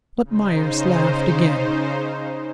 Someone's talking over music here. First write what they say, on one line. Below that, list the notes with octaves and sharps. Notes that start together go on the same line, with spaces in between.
But Myerst laughed again.
C#3 D#4 C5